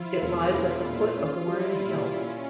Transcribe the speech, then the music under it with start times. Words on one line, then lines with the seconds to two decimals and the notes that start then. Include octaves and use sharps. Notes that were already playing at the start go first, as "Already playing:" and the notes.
It lies at the foot of Warren Hill.
Already playing: F3 E4 F4
0.21 E1 F4
0.53 E1
0.85 A#2
1.16 C#4
1.48 G3 E4
1.80 A#2
2.11 A#3 C#4